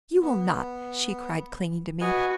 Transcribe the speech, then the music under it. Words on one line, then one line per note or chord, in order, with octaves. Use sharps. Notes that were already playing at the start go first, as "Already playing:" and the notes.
"You will not!" she cried, clinging to me.
B3
F#4 B4 D#5 G#5